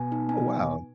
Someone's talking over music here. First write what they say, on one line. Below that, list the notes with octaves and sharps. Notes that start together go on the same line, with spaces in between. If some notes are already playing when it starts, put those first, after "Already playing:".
Oh, wow.
Already playing: B2 G#5
D#4
G#5